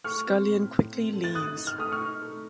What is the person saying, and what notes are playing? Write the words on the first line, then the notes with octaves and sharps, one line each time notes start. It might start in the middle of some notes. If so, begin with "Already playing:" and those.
Skullion quickly leaves.
A3 C#6 F6
C4
A2
A2
C4
A3
A6
A3 D#6 F#6
D#4
F6
A3 D#6
C#6 F6
D#4
A3